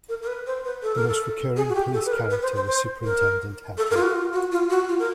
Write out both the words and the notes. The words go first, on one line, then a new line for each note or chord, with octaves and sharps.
The most recurring police character was Superintendent Hadley.
A#4
A#4
B4
C5
B4
A4
A#4
A4
G#4
F#4
G4
A4
B4
A#4
B4
C5
C5
C5
A#4
A4
A#4
F4
F#4
F4
F#4
F4
F#4
F4
A#4